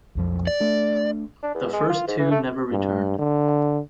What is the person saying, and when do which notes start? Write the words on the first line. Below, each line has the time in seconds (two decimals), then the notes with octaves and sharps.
The first two never returned.
0.15 B1 F2 F3
0.47 D5
0.60 A3 D4
1.43 D4
1.55 E2
1.73 G#3
1.90 F4
2.08 G#2
2.19 E3
2.31 A3
2.71 G2
3.19 D3